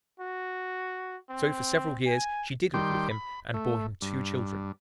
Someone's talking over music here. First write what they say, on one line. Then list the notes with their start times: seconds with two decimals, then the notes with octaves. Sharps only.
So for several years she did live with him and bore him two children.
0.20 F#4
1.30 C4
2.06 G#5
2.74 D#3 G3 G5 C6
3.11 B5
3.54 A3
4.02 G2